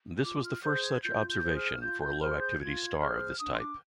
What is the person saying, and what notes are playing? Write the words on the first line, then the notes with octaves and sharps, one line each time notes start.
This was the first such observation for a low-activity star of this type.
F4 D6
F6
G#4 C5 G6
G#6
F4 G6
G6
G#4 C5
F6
F4 G6
G6
G#4 C5 F6
G6
F4 G#6
G#4 C5 F6
D4 D#6
C6
D6